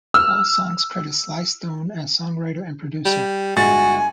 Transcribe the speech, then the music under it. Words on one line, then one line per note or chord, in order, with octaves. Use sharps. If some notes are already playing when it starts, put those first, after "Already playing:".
All songs credit Sly Stone as songwriter and producer.
E6 F6
G3
G1 G#3 F#4 G#5 A6